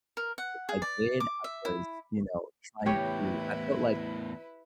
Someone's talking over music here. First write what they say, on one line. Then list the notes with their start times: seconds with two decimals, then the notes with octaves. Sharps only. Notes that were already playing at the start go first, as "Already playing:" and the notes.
if I did, I was, you know, trying to I felt like,
0.17 A#4
0.38 F#5
0.69 G#4
0.82 D5
1.20 D6
1.44 E5
1.65 E4
2.86 E2 A2 E4 G4 B4 C#5